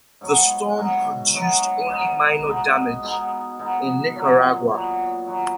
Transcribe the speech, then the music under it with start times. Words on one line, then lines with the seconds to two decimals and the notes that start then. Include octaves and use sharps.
The storm produced only minor damage in Nicaragua.
0.21 G#2 F#3 B3 F#4
0.78 G#2 F#3 B3 F#4
1.34 G#2 F#3 B3 F#4
1.90 B2 G#3 B3 D#4
2.47 B2 G#3 B3 D#4
3.03 B2 G#3 B3 D#4
3.59 B2 G#3 B3 D#4
4.16 A#2 F#3 B3 F#4
4.71 A#2 F#3 B3 F#4
5.27 A#2 F#3 B3 F#4